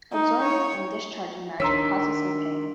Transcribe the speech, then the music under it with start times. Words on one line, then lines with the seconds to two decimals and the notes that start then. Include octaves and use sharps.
Absorbing and discharging magic causes him pain.
0.12 D#4
0.42 C#5
1.60 D#3 D4 C#5 A#5 C6 E6 B6